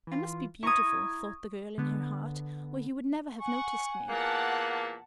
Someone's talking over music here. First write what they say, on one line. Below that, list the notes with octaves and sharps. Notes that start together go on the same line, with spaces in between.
"I must be beautiful," thought the girl, in her heart, "or he would never have noticed me."
E3 F4
E4 A#5 C#6 D#6 G#6
D3 B3
F#5 G#5 C#6
E2 A#2 A#3 F#5 A5 F#6